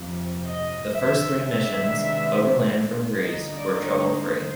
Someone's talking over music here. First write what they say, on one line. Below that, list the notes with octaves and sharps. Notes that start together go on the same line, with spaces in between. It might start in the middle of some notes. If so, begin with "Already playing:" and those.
The first three missions, overland from Greece, were trouble-free.
Already playing: F2 C3 F3
D#5
E5
C3 D#3 G#3 B3 D4 E5
D3 G3 A#3 D#4 D#5
D5
C#5
C5